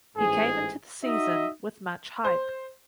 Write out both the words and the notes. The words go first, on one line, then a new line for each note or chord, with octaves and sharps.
He came into the season with much hype.
A1 G#2 G#4
D#4 F#4 D#5 E5
C5